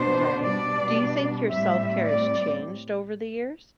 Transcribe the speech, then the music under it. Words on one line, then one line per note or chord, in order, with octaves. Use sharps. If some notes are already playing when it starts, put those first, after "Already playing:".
Right. Do you think your self-care has changed over the years?
Already playing: B2 B3 D4 C5
B2 G3 D4 D5
A2 G3 C4 E5
D5